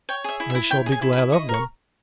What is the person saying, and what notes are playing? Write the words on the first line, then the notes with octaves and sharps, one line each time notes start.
I shall be glad of them.
C#5 G5
G#4 E5
E4
E5
E4
C#5 G5
G#4
G#5
E4
B5
E4
D#5 C#6
A#4 C#6